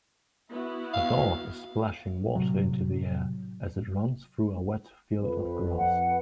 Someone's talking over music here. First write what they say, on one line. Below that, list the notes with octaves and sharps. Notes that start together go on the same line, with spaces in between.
A dog is splashing water into the air as it runs through a wet field of grass.
B3 E4 F#4
F5
A2 C3 F#3
F2 B4
F#5